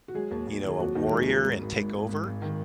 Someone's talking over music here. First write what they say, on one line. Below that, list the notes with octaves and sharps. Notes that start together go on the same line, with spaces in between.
you know, a warrior and take over,
F#4
F#3 G#3 G#4
D#2
D#2
D#3
G#4
D#2 F#3 F#4
D#2 D#3 D#4
A#4
D#2 G#3 G#4
F#3 G#3 G#4
G#2
G#1
G#2
G#1
G#2
G#1
D#3